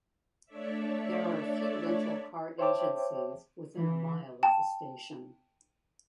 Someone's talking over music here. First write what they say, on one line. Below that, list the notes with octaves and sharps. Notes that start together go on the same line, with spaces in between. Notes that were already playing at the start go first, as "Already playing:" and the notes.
There are a few rental car agencies within a mile of the station.
A3 D4 A4 C#5 D5 E5
C5 C#5 E5 G5 A5 D6
E3
G5 A5